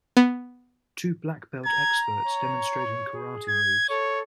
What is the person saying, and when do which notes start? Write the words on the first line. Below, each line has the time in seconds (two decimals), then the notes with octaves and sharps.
Two black belt experts demonstrating karate moves.
0.17 B3
1.65 A#5 G#6
2.27 C#5
3.12 G#4
3.49 G#6
3.90 A4 C#5